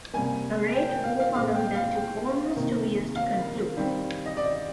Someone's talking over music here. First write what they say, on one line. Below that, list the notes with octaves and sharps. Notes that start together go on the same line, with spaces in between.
A rate war followed that took almost two years to conclude.
C3 G3 A#3 G#5
G5
G5
F5
F5
A#2 G#3 C4 F5
G5
F5
G5
C3 D#3 A#3
F5
D#3 G3 C4
D#5
D5